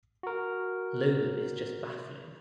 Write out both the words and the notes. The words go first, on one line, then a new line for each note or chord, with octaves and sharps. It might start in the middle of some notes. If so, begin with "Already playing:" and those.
Logan is just baffling.
F#4 A#4